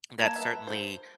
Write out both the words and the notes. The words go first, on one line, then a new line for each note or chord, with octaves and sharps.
that certainly,
A#3 A5 G#6
B3 E5
C5